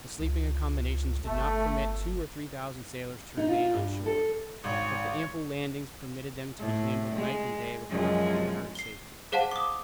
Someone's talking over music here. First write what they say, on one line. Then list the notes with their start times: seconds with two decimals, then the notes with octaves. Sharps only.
The sleeping accommodations did not permit two or three thousand sailors to remain on shore, but the ample landings permitted them to be handled night and day with perfect order and safety.
0.19 C#2
1.23 G1 A3
3.37 D#4
3.49 F4
3.74 G2
4.06 A4
4.64 G#1 C#5
6.59 A2
7.15 G#3
7.89 F#2 F3 G#3
8.75 C7 G7
9.32 G#4 C5 F5 F#5 A5
9.51 D6 D#6